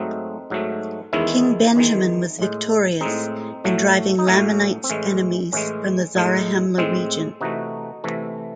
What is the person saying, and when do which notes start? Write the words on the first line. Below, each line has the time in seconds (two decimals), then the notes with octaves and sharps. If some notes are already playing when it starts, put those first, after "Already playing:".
King Benjamin was victorious in driving Lamanites enemies from the Zarahemla region.
Already playing: G#2 F#3 A3 C4 D#4
0.50 G#2 F#3 A3
1.13 E2 D#3 G#3 C#4 E4
1.76 E2 D#3 G#3
2.39 A2 G#3
3.01 A2 G#3 C4 D#4
3.64 A2 F#3 A3
4.19 D#4
4.27 A2 F#3 A3 C#4
4.84 C4
4.90 A2 E3 G#3 C#4
5.53 A2 E3 G#3 C#4
6.15 A2 G#3
6.78 A2 G#3 C4
7.41 C3 E3 A3 D#4 F#4
8.04 C3 E3 A3